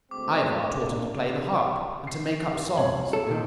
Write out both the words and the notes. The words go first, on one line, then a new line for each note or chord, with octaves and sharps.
Ivar taught him to play the harp and to make up songs.
D2 G#3 C4 D6
A#3 D4
C7
G2
C2 C#5 F#7
A4
A#2 D#3